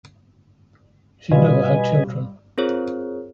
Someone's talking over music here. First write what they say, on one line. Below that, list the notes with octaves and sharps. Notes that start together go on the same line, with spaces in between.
She never had children.
B2 G3 F4 B4 D#5 G#5
C4 F4 G#4 A#4 C5 C#5